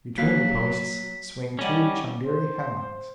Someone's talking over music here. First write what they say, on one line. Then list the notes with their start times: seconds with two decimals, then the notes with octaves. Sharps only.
Between the posts swing two chambiri hammocks.
0.18 F#3 A#3 F#4 F5 B6
1.59 G3 C#4 A4 D#5 F#5
2.26 C5